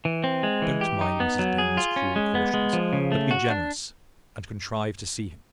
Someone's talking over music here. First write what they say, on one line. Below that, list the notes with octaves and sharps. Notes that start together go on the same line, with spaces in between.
Don't mind Mrs. Dean's cruel cautions; but be generous, and contrive to see him.
E3
C4
G#3
E3
G4
D#4
B3
F#3
G#4
F4
C#4
G#3
B3
G#3
F3
C#3
A3
F#4
D4